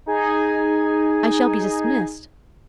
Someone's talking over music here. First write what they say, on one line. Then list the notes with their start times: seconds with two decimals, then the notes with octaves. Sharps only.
I shall be dismissed.
0.06 D#4 G#4 G#5